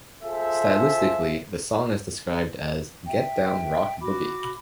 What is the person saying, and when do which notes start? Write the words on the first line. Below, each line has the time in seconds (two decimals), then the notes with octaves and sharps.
Stylistically, the song is described as "get-down rock boogie".
0.23 F4 G#4 A4 C5 E5
3.07 E5 G5
4.01 F#4 B5 D6